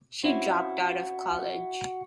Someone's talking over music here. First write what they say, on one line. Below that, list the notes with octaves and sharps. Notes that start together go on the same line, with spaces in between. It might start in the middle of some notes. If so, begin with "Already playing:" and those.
She dropped out of college.
C4 C#4 E4 F#4 F#5